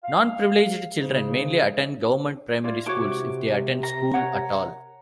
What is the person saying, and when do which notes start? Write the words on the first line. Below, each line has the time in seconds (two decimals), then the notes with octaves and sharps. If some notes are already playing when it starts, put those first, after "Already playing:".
Non-privileged children mainly attend government primary schools, if they attend school at all.
0.03 F5
0.99 G#2 C#3
2.64 E4 F4 D5
2.86 C3 E4 F#4 C#5 D6
3.83 A#5
4.14 A#4 C#5 F#5